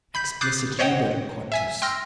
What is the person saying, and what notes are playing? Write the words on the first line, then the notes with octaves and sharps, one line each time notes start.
Explicit liber quartus.
B5 G6 B6
D6 D#6 F#6 G6 A6 C7
C5 C#5 D#5 F#5 G5
E5 G#5 B6
G5 C6 E6 F6 A#6